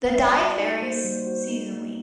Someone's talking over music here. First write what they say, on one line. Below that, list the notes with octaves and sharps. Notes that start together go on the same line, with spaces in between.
The diet varies seasonally.
F5
G3 E5
F#4 E5
D5
D#4 D#5
A#3 C5
G3
F#4
D#4
A#3